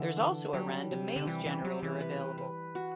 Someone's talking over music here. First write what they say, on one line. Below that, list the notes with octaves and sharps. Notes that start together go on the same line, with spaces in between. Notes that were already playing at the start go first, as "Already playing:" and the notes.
There's also a random maze generator available.
Already playing: D3 E3
D4
F#3 G3
C3
D3
E3 G3
E3
C3 F#3
E3
B4
B4
F#4